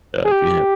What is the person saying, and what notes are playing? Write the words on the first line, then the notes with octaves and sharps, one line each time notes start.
Uh, do you have
G#4
G4